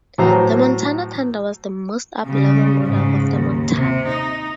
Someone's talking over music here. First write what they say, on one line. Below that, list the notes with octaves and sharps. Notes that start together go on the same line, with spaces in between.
The Montana Thunder was the most up-level model of the Montana.
A2 E3 F#3 C5 A#5
C#3 G3
G#2 C#3
D#2
C3
D#4